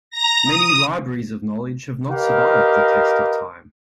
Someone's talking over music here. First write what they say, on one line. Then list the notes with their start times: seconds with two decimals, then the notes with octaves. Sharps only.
Many libraries of knowledge have not survived the test of time.
0.10 A#5 A#6
0.45 D#6
2.11 G4 A#4 B4 D#5 F5